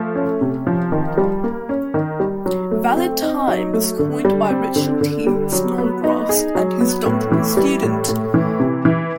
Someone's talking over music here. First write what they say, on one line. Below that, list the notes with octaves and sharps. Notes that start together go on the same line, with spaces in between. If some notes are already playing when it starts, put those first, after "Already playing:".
"Valid time" was coined by Richard T. Snodgrass and his doctoral student.
Already playing: F3 A3
C#4
C3
F3
D#3
G3
A#3
C#4
D#3
G3
F#3
A3
C4
D#4
F#3
A3
D3
G3
C4
D3
D3
G3
F#3
B3
D#4
G#4
F#3
B3
A2
E3
G3
A2
A2
E3
C3
E3